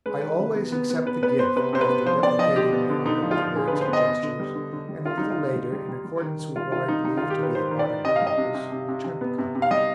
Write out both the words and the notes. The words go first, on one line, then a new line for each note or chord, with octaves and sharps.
I always accept the gift, after deprecating the honour with words and gestures, and a little later, in accordance with what I believe to be the modern practice, return the compliment.
G#3 B4
D#3
C3
B3
B3
B3
B3 B4
B3 B4
B3 C5
C3 B4
C3 C5
B4
B3
F3 C5
B3 D5
F3 D#5
D3 G4
B3
D3
D3 D#4
F3
F4
F3
D3 G#4
D3 B4
C5
B3 D#5
B3
D3
G3
D3
D3
G3
D3 F4
G3 D#4
F4
D3
G3
G3
G3
G3
D#3
D#3
G3 F4
D#3 F4
G3 D#4
G3 D#4
D#3 F4
G4
D#3 B4
D#3 C5
D#3
D5
D#3
C3 D#5
F5
G3 D#5
C3
C3
C3
C3
C3
B3
C3
C3
F5
G3 D#5